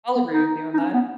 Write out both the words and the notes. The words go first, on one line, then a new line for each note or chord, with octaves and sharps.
I'll agree with you on that.
B3
D#4
D#4
C#4
B3